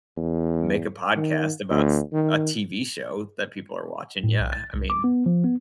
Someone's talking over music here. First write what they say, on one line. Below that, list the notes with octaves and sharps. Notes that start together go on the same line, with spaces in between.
to make a podcast about s a TV show that people are watching, yeah. I mean,
E2
D#3
D2
D#3
A2
B1
A6
C2
D6
B3
F3
B3